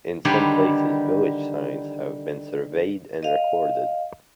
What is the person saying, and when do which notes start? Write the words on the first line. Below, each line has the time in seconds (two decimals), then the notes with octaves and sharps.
In some places village signs have been surveyed and recorded.
0.25 D3 D#3 G3 G4 B4 C#5
3.23 D#5 F5